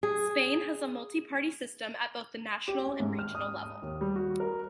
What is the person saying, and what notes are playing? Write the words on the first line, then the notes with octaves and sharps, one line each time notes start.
Spain has a multi-party system at both the national and regional level.
G#4
G4
C#4
G#2
F6
D#6
D#6
D#2
G3
F#4
A#4